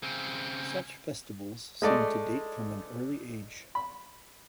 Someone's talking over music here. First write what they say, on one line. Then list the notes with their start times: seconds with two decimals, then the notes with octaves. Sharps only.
Such festivals seem to date from an early age.
0.03 C#3 C4
1.82 G#3 A3 D5 D#5
3.75 B5